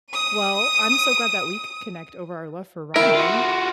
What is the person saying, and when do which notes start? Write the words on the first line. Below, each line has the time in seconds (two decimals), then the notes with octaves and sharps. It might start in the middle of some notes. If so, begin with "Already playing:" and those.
Well, I'm so glad that we could connect over our love for ramen.
0.11 D#6 D#7
2.96 E4 A#4 G5
3.15 F4 F#4